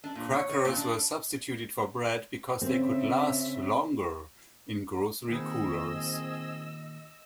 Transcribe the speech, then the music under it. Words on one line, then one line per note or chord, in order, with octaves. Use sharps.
Crackers were substituted for bread because they could last longer in grocery coolers.
D4
A#2
C#5
C#5
A#2
D4
C#3 C4 E5
A#2 D#3 B3 C4 G#4 D#5 E6